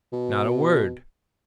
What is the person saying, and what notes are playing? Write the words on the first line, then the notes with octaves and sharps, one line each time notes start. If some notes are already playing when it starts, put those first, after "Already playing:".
"Not a word."
B2